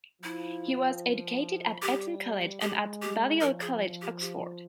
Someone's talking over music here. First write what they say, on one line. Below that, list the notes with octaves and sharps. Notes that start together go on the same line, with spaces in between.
He was educated at Eton College and at Balliol College, Oxford.
F3 E4
G3 G4
G#3 G4
G4
F3 A#4
G#4
G4
G4